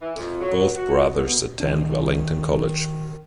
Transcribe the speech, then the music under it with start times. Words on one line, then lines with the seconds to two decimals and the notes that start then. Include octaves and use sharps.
Both brothers attended Wellington College.
0.01 E3
0.16 F2
0.41 F#3
0.76 F#4
1.13 B2
1.24 B2
1.60 D#3 D4